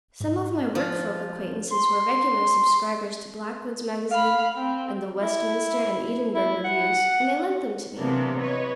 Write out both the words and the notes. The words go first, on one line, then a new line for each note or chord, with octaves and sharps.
Some of my work-folk acquaintances were regular subscribers to "Blackwood's Magazine" and the "Westminster" and "Edinburgh" reviews, and they lent them to me.
G#2
F3
C6
F5 B5
C4
E4
E4
F#5
C3 E3 F#3 A#3 B3 D4
B4 C#5 D#5